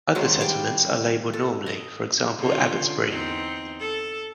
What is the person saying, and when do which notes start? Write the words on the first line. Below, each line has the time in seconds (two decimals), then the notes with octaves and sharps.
Other settlements are labelled normally for example Abbotsbury.
0.15 D#3 F#3 G#3 C5
0.41 G3 F5 G5
1.33 A4
1.66 D#5
2.39 D3 C#4 F4
3.08 E2 C4 D#4
3.80 A4